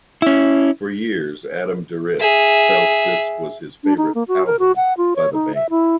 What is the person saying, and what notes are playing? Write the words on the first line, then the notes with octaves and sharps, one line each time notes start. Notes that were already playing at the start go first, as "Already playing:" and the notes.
For years Adam Duritz felt this was his favorite album by the band.
C#4 E4
G#4 E5
D4
D#4
A#3
F#4
A#4
F#4
F#5
F4
C#5
D#4
E5
E4